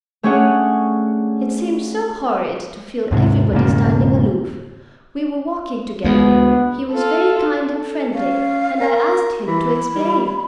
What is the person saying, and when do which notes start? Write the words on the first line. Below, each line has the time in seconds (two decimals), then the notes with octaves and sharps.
"It seemed so horrid to feel everybody standing aloof--we were walking together--he was very kind and friendly--and I asked him to explain."
0.23 A3 C#4 D4 G#4 C#5 F#5
3.11 D#2 G#2 C3
3.52 E1 G#2 C#3 A#3
6.04 D2 G#3 B3
6.91 F4 A4
7.73 A4
8.14 C#4 F5
8.80 A#4
9.47 E3 B5
9.95 G3